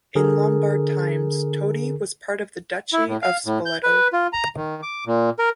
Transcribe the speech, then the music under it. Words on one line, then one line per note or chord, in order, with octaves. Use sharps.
In Lombard times, Todi was part of the Duchy of Spoleto.
D3 G#4 A#4
E4
A2
F5
A2
G6
B4
F4
A#5
D#3
D6
A#2
A#4